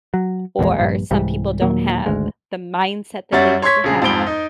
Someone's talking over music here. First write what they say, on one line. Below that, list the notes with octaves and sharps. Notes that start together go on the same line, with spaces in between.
or some people don't have the mindset that they need to have?
F#3
A#1 E2 D#3 G#3
A#1 G2
C2 G#2 E3 G3
D#2 A#2 F#3 A#3
G#1 D2 G#3
F#2 G3 C#5 E5 F#5 A6
C#5 C6 C#6 G#6 B6
A#1 C#3 G#4
F2 G#2 D7 G7
D#4